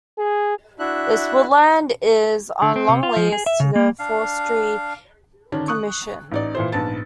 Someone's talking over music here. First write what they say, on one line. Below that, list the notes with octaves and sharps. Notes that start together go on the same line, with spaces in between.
This woodland is on long lease to the Forestry Commission.
G#4
D4 E4 F#4 E5 F#6
D3
C4
C3
F4
F3
G#4
E5
C#3
A#3
D4 F5
D3 D#3 C#4 D4
C#6 D#6 F#6
A1 D#4 D5
A#2 E3 C5
A#1 G#2 B3 A5 A6